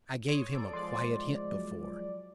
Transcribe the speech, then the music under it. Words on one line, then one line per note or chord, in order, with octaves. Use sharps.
I gave him a quiet hint before.
C#5 C6 D#6
A4 D5 D7
F3 G#3 D5 C6
F#3